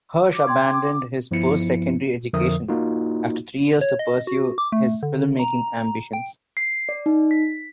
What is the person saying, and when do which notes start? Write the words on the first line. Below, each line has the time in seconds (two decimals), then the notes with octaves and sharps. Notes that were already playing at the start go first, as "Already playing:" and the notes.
Hirsh abandoned his post-secondary education after three years to pursue his filmmaking ambitions.
0.31 D6
0.47 G5 C6 G#6
1.31 G2 F3 B3 E4 C#7
2.33 F2 D3 F3 A#4 E5 D#6
2.69 A#3 D#4 F4 F#4
3.81 C#5
3.99 D#5
4.27 F#4
4.58 D6
4.72 A3
5.03 D3
5.39 A#5
6.13 G5
6.57 C7
6.89 D5
7.06 D#4
7.31 B6